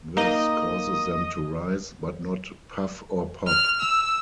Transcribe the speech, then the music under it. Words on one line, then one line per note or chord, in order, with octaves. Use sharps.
This causes them to rise, but not puff or pop.
A#3 D#4 D#5
F6
E6